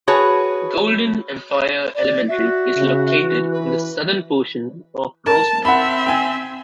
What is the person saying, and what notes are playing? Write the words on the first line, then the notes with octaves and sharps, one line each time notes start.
Golden Empire Elementary is located in the southern portion of Rosemont.
F#4 G#4 B4 C#5 A5
D5
F#4 E5
C#3
E3
B4
A#4 A5
C4 E5 F#5 B5
G5 G#5